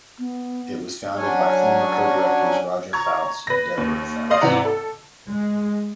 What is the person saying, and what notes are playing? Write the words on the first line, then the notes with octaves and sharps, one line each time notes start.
It was founded by former co-directors Roger Fouts and Deborah Fouts.
B3
F#3 C#4 D4 C#5 G#5
A#5 C#6 G#6
B4 A#6
D#2
C5 D5 D#5 F5
G#2 C3 E3 D5 F#5 A#5
A4
G#3